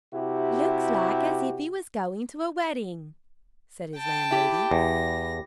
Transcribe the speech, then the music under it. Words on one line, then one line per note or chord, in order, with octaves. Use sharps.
"Looks like as if he was going to a wedding," said his landlady.
C3 E4 F#4 G4
G5 A5
E4 G4
E2 A#6